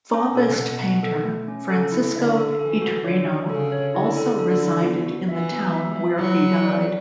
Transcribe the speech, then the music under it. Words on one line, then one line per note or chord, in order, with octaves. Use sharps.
Fauvist painter Francisco Iturrino also resided in the town where he died.
C#4
B2 A4
F#5
F#5
A4
A3
C#4
C#3 A4
E4
D3 E5
A4
E3 A4
F#4
D3 C#5
F#4
C#3 A4
C#5
D3 E4
A4
D3 A4
E4
B3
F#4
E3 E5
B3
E5
E5
F#3 E4
E4
D5